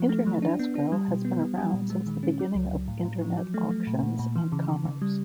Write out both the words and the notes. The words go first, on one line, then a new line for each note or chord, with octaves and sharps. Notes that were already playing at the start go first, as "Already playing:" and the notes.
Internet escrow has been around since the beginning of Internet auctions and commerce.
Already playing: F3
A3
F3
D4
B3
D4
G3
B2
B3
G3
G3
A#2
G#3
D#3
C#4
F#3
C#2
C#2
A2
A2
F3
F#3
A3
A3
A#2
A#2
A#2
E3
C#3
C#3
C#3
G3